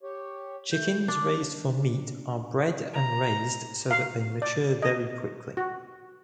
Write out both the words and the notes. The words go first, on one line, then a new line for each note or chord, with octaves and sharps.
Chickens raised for meat are bred and raised so that they mature very quickly.
G4 C#5
A3 G6
D4
A#5
F5
D5
D#5
F#4